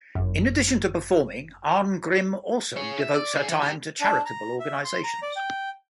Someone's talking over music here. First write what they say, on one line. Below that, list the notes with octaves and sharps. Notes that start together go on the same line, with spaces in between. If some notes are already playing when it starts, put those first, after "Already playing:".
In addition to performing, Arngrim also devotes her time to charitable organizations.
G1 F#2
G#4 C#5
E5
D5
D3 G#4
E3
D#4 G4
D4
A#5
E5
C6
A#5
D5
G5